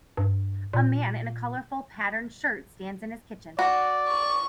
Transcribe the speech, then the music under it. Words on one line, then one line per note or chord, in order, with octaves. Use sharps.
A man in a colorful, patterned shirt stands in his kitchen.
G2
A#2
F#4 D5
C#6